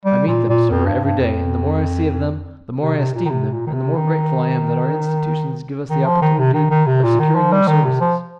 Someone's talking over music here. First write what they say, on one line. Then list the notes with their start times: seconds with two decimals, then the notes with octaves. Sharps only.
I meet them, Sir, every day, and the more I see of them the more I esteem them and the more grateful I am that our institutions give us the opportunity of securing their services.
0.06 G3
0.27 A#2
0.49 A#2
0.71 F2
0.87 G2
1.04 G2
1.20 F2
2.82 C3
2.98 C3
3.15 A#2
3.25 D#3
3.30 C3
3.53 A#2
3.67 D#3
3.73 C3
3.96 D#3
5.90 D#3
6.06 F3
6.22 D#3
6.39 C3
6.54 D#3
6.70 D#3
6.87 C3
7.03 A#2
7.20 D#3
7.35 F3
7.52 G3
7.68 D#3
7.85 C3
8.01 F3